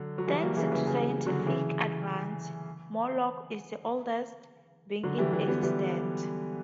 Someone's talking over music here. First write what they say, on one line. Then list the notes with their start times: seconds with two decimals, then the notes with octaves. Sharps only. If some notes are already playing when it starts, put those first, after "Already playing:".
Thanks to scientific advances, Morlock is the oldest being in existence.
Already playing: D3 F#3
0.18 F#3
0.28 E3 G3
0.42 F#3 A#3
0.57 C#3 E3
0.72 C#3 E3
0.87 C#3 E3
1.26 D3 F#3
1.46 C#3 E3
5.03 D3 F#3
5.18 E3 G3
5.33 E3 G3
5.47 G3 B3
5.63 E3 G3